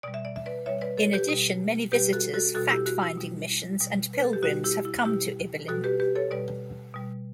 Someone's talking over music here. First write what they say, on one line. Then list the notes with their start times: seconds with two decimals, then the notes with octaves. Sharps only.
In addition, many visitors, fact-finding missions, and pilgrims have come to Ibillin.
0.03 B2 G3 D5
0.14 E5
0.25 D5
0.36 E5
0.46 B4 D5
0.66 B2 G3 C#5 E5
0.81 B4 D5
0.98 A4 C#5
1.13 G4 B4
1.29 B2 G3
1.92 B2 G3 G4 B4
2.13 F#4 A4
2.34 F#4 A4
2.54 B2 G3 F#4 A4
2.70 E4 G4
2.86 F#4
3.02 E4
3.18 B2 G3
3.80 B2 G3
4.13 B4
4.24 A4
4.33 G4
4.43 B2 G3 F#4
4.64 E4 G4
4.85 E4
5.05 B2 G3 E4 G4
5.68 B2 G3 F#4 A4
5.84 G4 B4
6.00 G4 B4
6.15 A4 C#5
6.31 B2 G3 B4 D5
6.94 B2 G3